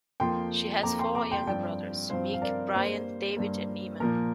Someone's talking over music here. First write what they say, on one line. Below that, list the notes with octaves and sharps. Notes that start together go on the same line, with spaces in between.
She has four younger brothers: Mick, Brian, David and Eamonn.
F2 F3 A#3 G5 C6
F2 F3 A#3 A#5 D6
G5 C6
A#5 D6
G5 C6
G2 F3 C4 D5 G5
G2 F3 C4 C5 F5
F5
A#4 D5
G2 G3 A#3 C5
G2 G3 A#3
A#2 F3 A#3 A#4